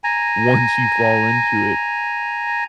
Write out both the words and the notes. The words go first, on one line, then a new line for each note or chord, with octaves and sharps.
once you fall into it,
G#5 A#5